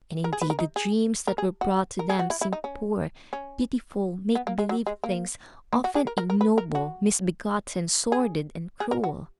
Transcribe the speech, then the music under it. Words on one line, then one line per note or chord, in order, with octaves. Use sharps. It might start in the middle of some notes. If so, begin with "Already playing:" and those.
And, indeed, the dreams that were brought to them seemed poor, pitiful, make-believe things, often ignoble, misbegotten, sordid, and cruel.
A#4
G#4
B4
A#4
D#4
G#4
A#4
G#4
F#4
A#4
G#4
F#4
E4
E4
D#4
C#4
C#4
B3
A#3
G#3
F#3
G#3
A#3
A#3
F#4
G#4
A#4
A#4
A#4
B4
A#4
F#4
G#4
G#4
A#4
F#4